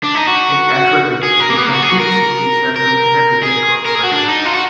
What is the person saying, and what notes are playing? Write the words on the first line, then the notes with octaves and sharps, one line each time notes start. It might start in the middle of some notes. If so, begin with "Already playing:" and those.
In athletics, it competes in the Central Connecticut Conference.
D4
D#4
F#4
G#4
A#4
A#3
B3
A#3
F#4
G#4
F#4
A#4
A#4
G#4
A#4
G#4
F#4
D4
D#4
F4
F#4